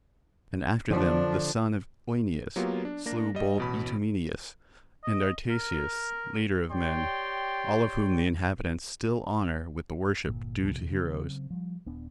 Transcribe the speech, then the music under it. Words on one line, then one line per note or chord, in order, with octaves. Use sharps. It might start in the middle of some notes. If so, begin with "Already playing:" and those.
And after them the son of Oeneus slew bold Itomeneus, and Artaceus, leader of men; all of whom the inhabitants still honour with the worship due to heroes.
D3 F3 D4
F#3 A#3 B3 F4 G4
D4
A#3 D4 A#6
G3 D#5
A1 B2 B5
D#5
A#4
G4 C#5 D5 G5 C6
G1 A#2
C2 B2 F3
E2 B2
C#3 F#3 C4
F3 G3
D#1 B3 D4